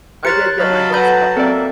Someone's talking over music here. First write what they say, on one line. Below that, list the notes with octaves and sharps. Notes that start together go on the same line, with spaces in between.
I did get my books pu
G4 A#4 C5 C#5 F#6 A6 C#7
F#3 C#5 D#5 F5 A5 B5
A4 B4 F#5 A#5 B5 G6
A#3 C4 A4 D5 E5